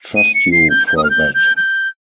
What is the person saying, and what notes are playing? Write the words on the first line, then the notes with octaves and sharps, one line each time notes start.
Trust you for that!
D#7
C#7
C7
G6
G6
D#6
F6
G6
G6
G6